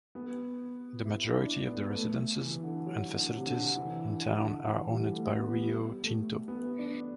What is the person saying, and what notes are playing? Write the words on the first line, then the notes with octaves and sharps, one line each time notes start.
The majority of the residences and facilities in town are owned by Rio Tinto.
B3
E4
D4
B3
A3
E3
D3
F#3
D3
C3
D3
E3
D3
D3
E3
G3
A3
B3
G3
A3
B3
D4